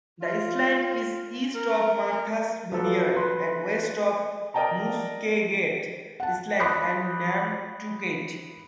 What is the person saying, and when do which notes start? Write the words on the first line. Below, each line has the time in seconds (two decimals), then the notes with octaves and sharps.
The island is east of Martha's Vineyard and west of Muskeget Island and Nantucket.
0.21 F4
1.55 A#4
2.72 F3 F#3 A4 B4
3.15 B4 C6
4.54 A#4 D5 D#5 G5 A5 A#5
6.20 F#5 A5
6.60 B5 C6 D6 D#6 F#6 G6